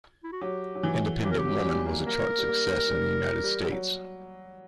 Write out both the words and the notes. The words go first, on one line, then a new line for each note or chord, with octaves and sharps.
"Independent Women" was a chart success in the United States.
E4
F#4
F#3 G4
F#3
E3
F#3 G4
A#4
G4
F#3
F#3
G3
A#3
A#3 A#4
G3
A#3
G3
G3
F#3